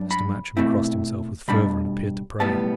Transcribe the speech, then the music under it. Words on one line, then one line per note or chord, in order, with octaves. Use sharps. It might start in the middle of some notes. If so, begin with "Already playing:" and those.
Master Matcham crossed himself with fervour, and appeared to pray.
Already playing: G2 F#3 D4
B5
B2 A3 C4 E4
B2 G3 D4 B5
B1 A2 G3 B3 A5